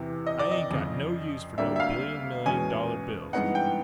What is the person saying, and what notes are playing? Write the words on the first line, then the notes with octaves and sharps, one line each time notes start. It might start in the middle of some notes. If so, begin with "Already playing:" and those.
I ain't got no use for no billion million dollar bills.
Already playing: E2 C3 E3
D#5
D5
D#5
F2 C#3 F3
D2 D3 G3 A#3 D4 E5
E5
F5
E2 B2 G#3 C#4 G#5
G2 E3 G#3 B3 D#4 F#5
G5